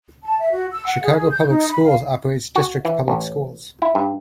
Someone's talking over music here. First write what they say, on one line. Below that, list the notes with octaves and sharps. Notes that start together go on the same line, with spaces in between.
Chicago Public Schools operates district public schools.
A5
E5
F#4
E6
F#5
G#4
G6
D#4
B5
F5
F#4
E3
A1
E4
G2